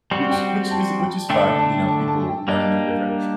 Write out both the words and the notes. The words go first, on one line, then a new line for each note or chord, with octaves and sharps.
Which which is it which is fine, you know, people learn their different
G3 C4 F#4 D5
G5
A5
G5
D3 A3 D4 G5
A5
A5
A5
G5
G3 A#3 D4 D#5
A#4
A#4